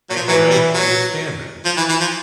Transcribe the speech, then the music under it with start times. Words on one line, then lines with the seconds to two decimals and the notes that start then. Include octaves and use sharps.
I and I understand that.
0.10 F#3
0.16 F3
0.28 E3 F#3
0.50 G3
0.74 F#3
1.65 F3
1.77 E3
1.89 E3
2.00 F3